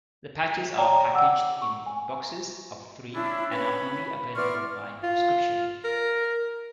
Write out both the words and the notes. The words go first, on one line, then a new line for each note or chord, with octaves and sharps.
The patches are packaged in boxes of three and are only available by prescription.
C#5 D5 G5 A5 A#5
F#5 D6 E6
C#6
G#5
C#4 D4 E4
C#4 B4 C#5 B5
E3 B3 D5 C6 C#6 F6
F4
A#4